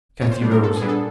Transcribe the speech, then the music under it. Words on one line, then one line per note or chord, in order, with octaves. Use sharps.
Cathy rose.
A#2 C#5
C5
G3 B3 D4
A#4
A#2 A4
G#4
G3 B3 D4
A4